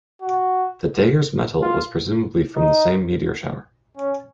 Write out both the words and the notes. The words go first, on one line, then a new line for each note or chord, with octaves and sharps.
The dagger's metal was presumably from the same meteor shower.
F#4
F4
D#4
C#4